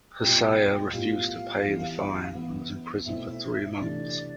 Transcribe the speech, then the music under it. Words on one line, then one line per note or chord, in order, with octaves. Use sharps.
Hsieh refused to pay the fine and was imprisoned for three months.
B2 G3 C4 F4 G5
A2 G3 B3 F4 F5
E3 G3 B3
E3 B3 E4
B2 A3 C4 E4 E5
C3 E3 A3 D4 D5